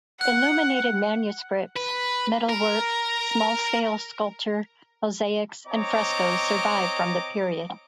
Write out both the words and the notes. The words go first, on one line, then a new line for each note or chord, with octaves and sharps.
Illuminated manuscripts, metalwork, small-scale sculpture, mosaics, and frescos survive from the period.
F#5 F#6
B4
A#4
C4 C#5 D#5 A#5 D6